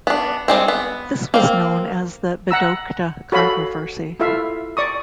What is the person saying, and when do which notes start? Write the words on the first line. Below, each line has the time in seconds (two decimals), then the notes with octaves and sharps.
This was known as the Vedokta controversy.
0.07 B3 D4
0.48 G3 G#3 C4
0.68 B3
1.34 A#3 C4
2.51 F#5 A#5 E6
3.32 F#4 A4 C#5 F5 B5
4.20 E4 F4 A4 E5 F5
4.77 D5 C#6 D#6